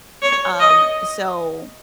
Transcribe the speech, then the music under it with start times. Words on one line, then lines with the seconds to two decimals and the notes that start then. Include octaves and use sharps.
um, so,
0.22 C#5
0.60 D#5